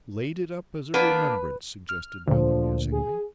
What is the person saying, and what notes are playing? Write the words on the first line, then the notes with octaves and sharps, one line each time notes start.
'Laid it up as a remembrance,' suggested Bella, musingly.
A#3 B3 D4 B4
F6
D2 A#2 D3 F3 C5
G#4